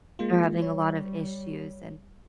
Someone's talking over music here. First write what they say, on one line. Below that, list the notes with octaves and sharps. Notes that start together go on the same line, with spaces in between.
they're having a lot of issues. And
G#3 A#3 F4
G3 C#5